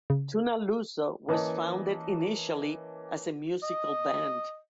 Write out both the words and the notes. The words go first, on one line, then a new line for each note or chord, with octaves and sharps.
Tuna Luso was founded initially as a musical band.
C#3
E3 A#3 C#4 D#5 A5
D#5